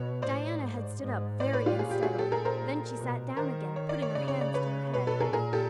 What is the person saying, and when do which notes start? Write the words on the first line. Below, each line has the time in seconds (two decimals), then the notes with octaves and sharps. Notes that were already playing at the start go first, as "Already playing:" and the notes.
Diana had stood up very unsteadily; then she sat down again, putting her hands to her head.
Already playing: B2 C#5
0.22 A2 C5 D5
0.61 G#2
1.01 G#2
1.40 A2 C5 D5
1.53 B4 C#5
1.66 F4 G4
1.79 A#2 G#4
1.91 G4
2.03 F#4 G#4
2.18 G4 A4
2.32 G#4 A#4
2.45 A#4 C5
2.98 B2
3.37 D#3 A#4 C5
3.76 C#5
3.89 D5
4.02 C#5
4.15 C#3 D5
4.28 C#5
4.41 D5
4.54 B4 C#5
4.94 B2 B4 C#5
5.07 A4 B4
5.20 G#4 A#4
5.33 A#2 G#4 A#4
5.53 G4 A4